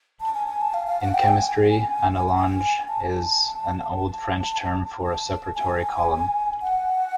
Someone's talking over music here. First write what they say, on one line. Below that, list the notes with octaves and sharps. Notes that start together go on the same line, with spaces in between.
In chemistry an allonge is an old French term for a separatory column.
A5
G#5
G#5
A5
F5
F5
F#5
G5
G#5
G5
G#5
A5
G#5
A5
A5
A5
G#5
F#5